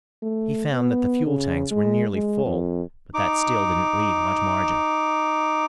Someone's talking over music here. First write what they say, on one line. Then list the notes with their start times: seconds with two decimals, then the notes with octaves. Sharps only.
He found that the fuel tanks were nearly full, but that still didn't leave much margin.
0.22 A3
0.73 B3
1.27 C#3
1.71 G#3
2.14 G#3
2.45 F2
3.14 D#4 D6